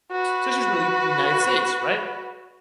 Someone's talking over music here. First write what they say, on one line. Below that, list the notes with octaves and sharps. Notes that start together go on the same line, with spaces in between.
So, it's just really the United States, right?
F#4 B4